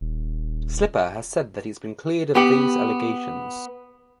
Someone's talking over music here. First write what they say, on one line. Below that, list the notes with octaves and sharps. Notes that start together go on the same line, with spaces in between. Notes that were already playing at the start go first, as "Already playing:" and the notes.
Slipper has said that he has been cleared of these allegations.
D#1
B3 G4 F#5